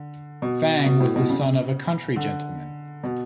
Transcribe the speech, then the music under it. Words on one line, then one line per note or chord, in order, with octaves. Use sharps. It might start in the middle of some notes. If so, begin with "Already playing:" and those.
Fang was the son of a country gentleman.
Already playing: D3
B2
B2
A2
B2
C#3
D3
B2